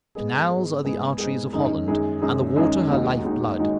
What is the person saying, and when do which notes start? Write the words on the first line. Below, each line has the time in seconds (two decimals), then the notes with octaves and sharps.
The canals are the arteries of Holland, and the water her life-blood.
0.15 G#2 G#3 B3 G#4
0.50 G#2 G#3 B3 G#4
0.84 G#2 G#3 B3 G#4
1.18 G#2 G#3 B3 G#4
1.53 F#2 D#3 G#3 D#4 G#4
1.88 F#2 D#3 G#3 D#4 G#4
2.22 F#2 D#3 G#3 D#4 G#4
2.56 F#2 D#3 G#3 D#4 G#4
2.90 D#2 D#3 G#3 D#4 F#4
3.24 D#2 D#3 G#3 D#4 F#4
3.59 D#3 G#3 D#4 F#4